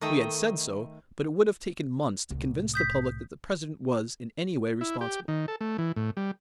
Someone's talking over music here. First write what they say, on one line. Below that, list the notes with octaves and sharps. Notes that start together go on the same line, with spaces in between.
We had said so but it would have taken months to convince the public that the President was in any way responsible.
D#3 A3 D#5 G5
C2 A2
D#6 G6 B6
E4
G4
D#3
A4
A3
E3
A2
G3